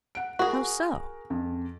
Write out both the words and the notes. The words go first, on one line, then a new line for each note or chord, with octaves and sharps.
"How so?"
F#5 D7
F#4 G#4 A#4 F#5
F2